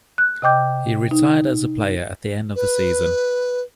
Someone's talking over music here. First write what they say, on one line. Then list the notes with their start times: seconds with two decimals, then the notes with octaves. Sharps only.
He retired as a player at the end of the season.
0.18 F#6
0.42 C3 D#5 G5 D6 G6
1.11 D#4
2.56 B4